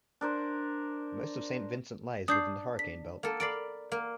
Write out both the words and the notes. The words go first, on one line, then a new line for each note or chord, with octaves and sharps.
Most of Saint Vincent lies within the Hurricane Belt.
D4 A#4 C5
D4 D#6 G6 C7
B6
A#3 A4
A#4 D5 B5 C7 D7
A#3